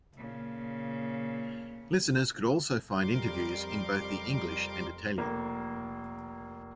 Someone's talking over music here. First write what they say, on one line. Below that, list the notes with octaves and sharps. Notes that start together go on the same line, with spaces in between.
Listeners could also find interviews in both the English and Italian.
A#2 C#3
F2 G3 A#4 C6 D6
F1 A#3